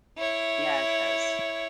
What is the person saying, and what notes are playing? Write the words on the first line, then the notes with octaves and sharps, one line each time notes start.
Yeah, it does.
E4 C#5